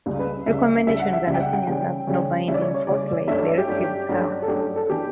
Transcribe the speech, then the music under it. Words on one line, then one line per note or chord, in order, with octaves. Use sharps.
Recommendations and opinions have no binding force, like directives have.
C#2 C#3 G3
B4
C#2 C#3 G3 E5
C#2 C#3 G3 E5
F#5
E5
C#2 C#3 G3 E5
G5
F#5
G5
C#3 G3 C#4 G5
C#3 G3 C#4
C#3 G3 C#4 E5
D5
C#5
C#5
C#3 G3 C#4 D5
G2 F#3 A3 C#4 E5
D5
E5
G4
G2 F#3 A3 C#4
G2 F#3 A3 C#4
A4
G2 F#3 A3 C#4 G4
A4
E3 B3 D4 G4